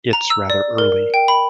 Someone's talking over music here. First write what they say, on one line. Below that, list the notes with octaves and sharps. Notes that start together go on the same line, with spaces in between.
It’s rather early.
A#5
E6
D5
A#4
G5
B5